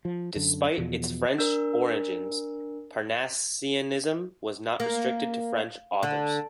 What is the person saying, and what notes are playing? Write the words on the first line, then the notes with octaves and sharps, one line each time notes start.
Despite its French origins, Parnassianism was not restricted to French authors.
F3
F#2 D3
E2 B2 F3
D4 A#4
A#3
D3